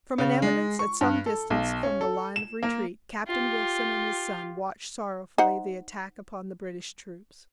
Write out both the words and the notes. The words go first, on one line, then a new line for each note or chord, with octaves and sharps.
From an eminence at some distance from the line of retreat Captain Wilson and his son watched sorrowfully the attack upon the British troops.
C#3
G#3
C#6
G2
A4
B1
C#4
A4
E7
A#3
F4 G4
D#4 C5 F#5